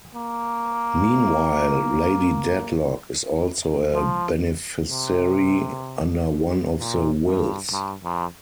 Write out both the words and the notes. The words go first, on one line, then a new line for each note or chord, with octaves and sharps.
Meanwhile, Lady Dedlock is also a beneficiary under one of the wills.
A#3
F3
C3
A#2
G2
G2
F2